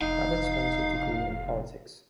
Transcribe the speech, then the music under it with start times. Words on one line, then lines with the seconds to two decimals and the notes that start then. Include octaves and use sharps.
Kravitz holds a degree in Politics.
0.01 F1 D#4 F5